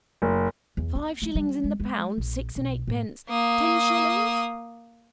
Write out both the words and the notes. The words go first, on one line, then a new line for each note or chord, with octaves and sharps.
Five shillings in the pound, six and-eightpence, ten shillings?
F#1
E2
B3
A3
G3
G#3
G#3
A#1
B1
A2
A#3 D#6